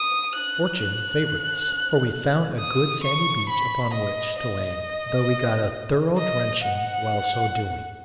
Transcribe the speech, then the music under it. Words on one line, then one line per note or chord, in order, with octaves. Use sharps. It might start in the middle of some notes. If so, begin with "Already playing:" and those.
Fortune favored us, for we found a good sandy beach upon which to land, though we got a thorough drenching while so doing.
Already playing: D#6
F#6
F#6
D#6
C#6
B5
D#5
D#5
D#5
F#5